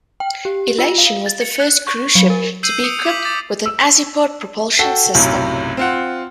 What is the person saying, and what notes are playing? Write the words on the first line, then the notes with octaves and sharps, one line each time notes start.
"Elation" was the first cruise ship to be equipped with an Azipod propulsion system.
G5
G4
F4
F5
A6
C#7
F#6
C#6
F#3
A#4
E6 G6 C7 D#7 F#7
D#6 C#7 D7
D6 B6 F#7
D6 A6
E6
F#4 A4 G5
B1 F#2 A2 C3
C4 F4 F#5